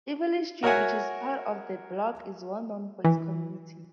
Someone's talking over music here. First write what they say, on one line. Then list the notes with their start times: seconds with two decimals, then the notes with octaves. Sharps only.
Eveleigh Street, which is part of 'The Block', is well known for its community.
0.63 F#4 A#4 C#5 E5 F#5 G#5
3.04 E3